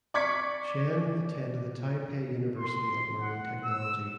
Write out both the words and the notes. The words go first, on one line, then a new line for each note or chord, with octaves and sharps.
Chen attended the Taipei University of Marine Technology.
D5 C#6 D6 G#6 B6 C#7
C6
F#5
E6